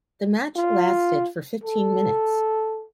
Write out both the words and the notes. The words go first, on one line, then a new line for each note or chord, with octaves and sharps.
The match lasted for fifteen minutes.
F4
A4